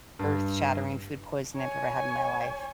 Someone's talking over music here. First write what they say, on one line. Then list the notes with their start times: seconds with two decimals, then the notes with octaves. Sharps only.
earth shattering food poison I've ever had in my life.
0.19 G2
1.56 C#5 G#5